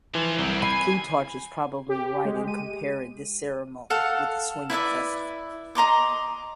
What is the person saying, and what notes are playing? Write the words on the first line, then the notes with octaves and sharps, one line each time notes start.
Plutarch is probably right in comparing this ceremony with the swinging-festival.
E3 F3
C2 F#3 C4
G#5 B5 C7
G4
G#3
D#7
A4 F5 F#5
E4 B4 D5 E5
D#5 A#5 C6 D6